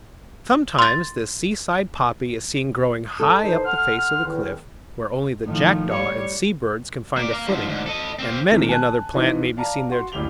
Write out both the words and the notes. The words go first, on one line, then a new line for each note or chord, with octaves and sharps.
Sometimes this seaside poppy is seen growing high up the face of the cliff, where only the jackdaw and sea-birds can find a footing; and many another plant may be seen there too.
C6 A6
A4
E3 D#4 C5
F#5 C6 F6
E2 D#3
A2 D#3 F3
G3 C#5
A#3 D5
A#4 F5
G#2 F3
D2 G#2
A4 D#5
A#3 C4
C3 D#3 E3 G#3 A3
G#5 A5 F#6
E3 F3 D#4 F4
D5 F5 A5 A#5
F#4 C6
F#1 D2 E4 G4 F7 G7